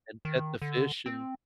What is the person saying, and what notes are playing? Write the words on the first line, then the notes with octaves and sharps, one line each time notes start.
and pet the fish and
D#3
D3
C4